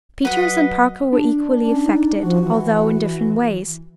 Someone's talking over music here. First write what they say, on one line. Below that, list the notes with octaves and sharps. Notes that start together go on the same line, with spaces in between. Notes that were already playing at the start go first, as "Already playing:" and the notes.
Peters and Parker were equally affected, although in different ways.
F#3 B4 D#5 F#5
D4
C#4
D#4
F3 F#4
E3